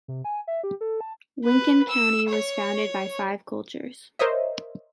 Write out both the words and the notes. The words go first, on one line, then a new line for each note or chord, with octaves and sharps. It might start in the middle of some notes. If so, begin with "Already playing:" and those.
Lincoln county was founded by five cultures.
C3
G#5
E5
G4
A4
A5
B4
E6
C#5
A#4 C5 C#5 D#5 E5